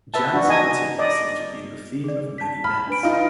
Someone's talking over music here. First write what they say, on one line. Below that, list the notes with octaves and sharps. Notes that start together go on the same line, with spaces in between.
Janus in particular seems to have been the theme of many myths.
B4 E5 A5
D4 F#4
D#4 D#5 G#5
D5 D#5
G#4 D5
A5 B6
B5 F6
D4 B4 D7
D#4 F4